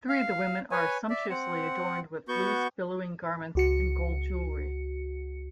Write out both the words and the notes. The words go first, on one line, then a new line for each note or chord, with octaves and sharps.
Three of the women are sumptuously adorned with loose, billowing garments and gold jewellery.
F5
B4 C#5 G#5
D5 E5
C4 F#5
B3 F#4 C#6 G6
C#2 F#4 C#7